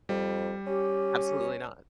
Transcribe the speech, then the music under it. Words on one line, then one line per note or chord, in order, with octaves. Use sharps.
Absolutely not.
F2 G3
C#4 G4